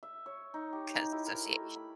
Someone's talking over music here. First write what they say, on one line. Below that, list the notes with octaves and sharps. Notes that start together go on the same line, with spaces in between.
'cause association.
E5
C#5
D#4
G4
D#4
E4
A#4
A3
B5